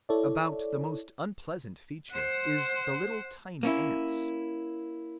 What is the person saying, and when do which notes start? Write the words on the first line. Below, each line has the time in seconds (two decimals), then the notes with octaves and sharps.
About the most unpleasant feature is the little tiny ants.
0.09 E4 A4 C#5 D5
2.11 C5 F#5
3.63 A#3 C#4 E4